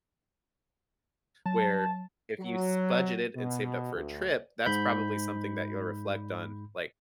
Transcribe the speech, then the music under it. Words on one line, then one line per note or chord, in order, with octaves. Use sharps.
Where if you s budgeted and saved up for a trip, that's probably something that you'll reflect on, like,
F#3 A5
F#3
B2
D2
G#2 B5 G6